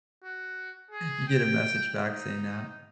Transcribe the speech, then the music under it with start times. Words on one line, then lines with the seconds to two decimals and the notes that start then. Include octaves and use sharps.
you get a message back saying that.
0.24 F#4
0.91 G#4
1.28 G5
2.00 D#4